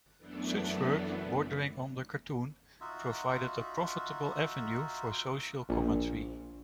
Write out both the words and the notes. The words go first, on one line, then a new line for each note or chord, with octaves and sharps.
Such work, bordering on the cartoon, provided a profitable avenue for social commentary.
F#2 E3 A3 B3 D4
D#4 F4 F#4 E5
A#1